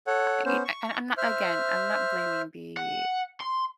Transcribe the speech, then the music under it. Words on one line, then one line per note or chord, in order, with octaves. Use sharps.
I e uh, I I'm not again, I'm not blaming the
A4 C#5 F#5
B3 C#4 C5
C#6
C5 E5 F6
F#5
C6